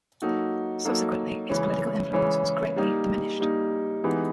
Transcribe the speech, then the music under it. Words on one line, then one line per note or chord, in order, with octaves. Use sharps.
Subsequently, his political influence was greatly diminished.
F#3 A#3 D#4 F#4 A4
F#3 A#3 D#4 F#4 A4
C#3 E3 G#3 C#4
C#3 E3 G#3 C#4
G3 A#3 D#4
G3 A#3 D#4
E3 G#3 B3 D#4 G4